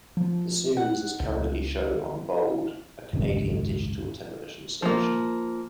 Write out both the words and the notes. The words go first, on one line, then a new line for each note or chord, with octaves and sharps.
The series is currently shown on bold, a Canadian digital television station.
F3
F#5
C#2
G#1 C#2 F#2 C#4
F3 A#3